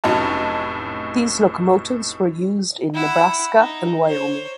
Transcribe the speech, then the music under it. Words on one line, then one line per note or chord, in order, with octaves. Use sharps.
These locomotives were used in Nebraska and Wyoming.
F1 A2 F#3 C#4 D#4 A5
E4 F#5
D#4
C5 C#5